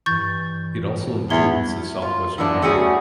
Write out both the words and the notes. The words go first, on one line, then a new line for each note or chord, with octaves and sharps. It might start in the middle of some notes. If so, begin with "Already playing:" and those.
It also includes the southwestern area.
G2 E3 C#6 G6 A6
E2 E5 G#6 G7
F4
E3 A#3 B3 D4
G3 A3 C#4 F#4 G#4